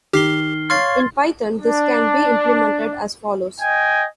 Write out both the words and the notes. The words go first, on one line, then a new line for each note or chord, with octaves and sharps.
In Python, this can be implemented as follows.
D#3 G4 F6 C7 G7
C#5 F5 C6 C#6 F6 A6 C7
D4
D#5 G5 G#5